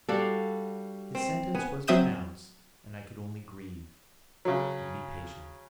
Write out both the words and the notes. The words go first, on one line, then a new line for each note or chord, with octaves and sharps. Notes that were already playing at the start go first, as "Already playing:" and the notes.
His sentence was pronounced, and I could only grieve and be patient.
G3 D4 F#4 A4 F5
C4
B3 G#5
F#3 C4 E5 D#6 G6 E7
C#3 F#3